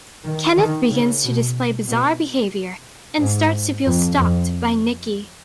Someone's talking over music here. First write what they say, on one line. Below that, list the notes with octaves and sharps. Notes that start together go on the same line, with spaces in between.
Kenneth begins to display bizarre behavior, and starts to feel stalked by Nikki.
D#3
D#3
C#3
B2
B2
G#2
F2
F2